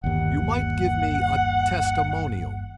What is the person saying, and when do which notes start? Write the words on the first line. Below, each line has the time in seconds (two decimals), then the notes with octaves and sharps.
"You might give me a testimonial."
0.04 G1 D#2 F#5